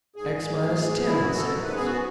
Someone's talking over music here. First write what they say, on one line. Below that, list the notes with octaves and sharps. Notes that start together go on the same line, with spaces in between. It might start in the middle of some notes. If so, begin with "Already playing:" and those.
X minus ten seconds.
G#2 G#4
G#2
A3
B2
F#2 E4
F#4
F#2
A4
G#2
B4
B3 G#4
F#4